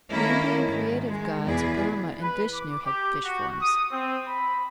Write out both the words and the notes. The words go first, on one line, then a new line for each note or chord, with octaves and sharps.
The Indian creative gods Brahma and Vishnu had fish forms.
D#3 A3 A#3 C#4 E4 A#4
G#2 D#3
D#3 G#3
E2 B2 E4 G#4 B4 D5
B4
D6
G4
F#4
D#6
C4
B5